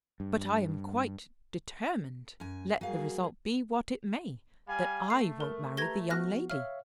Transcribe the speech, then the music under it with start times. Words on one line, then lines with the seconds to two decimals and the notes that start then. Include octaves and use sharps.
"But I am quite determined, let the result be what it may, that I won't marry the young lady."
0.20 G2
2.40 F#2 G#5
2.81 F#3 G3 A#3 F#4 G#4 F5
4.67 G3 F5 G#5
5.10 A3 C7
5.40 A#4
5.77 G4 B4 A#5 G#6 A#6 G7
6.10 F3 B3 F#4 F6 F#6 A#6
6.50 C#5 E5 F5 F6